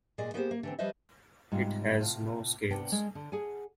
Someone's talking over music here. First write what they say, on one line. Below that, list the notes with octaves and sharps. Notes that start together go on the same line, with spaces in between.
It has no scales.
A#2 G#3 G#4 D5 D#5
A#3 B3 G4 G#4 B4 C5
A#3
D3 E3 C4
F3 G3 B4 C5 D#5 E5
G#2 C3 G3 B3 F4
A2 C3 F4
C3 B3 D4 B4 F#5 G5
G#3 A#4
D3
G#4 F#5 G#5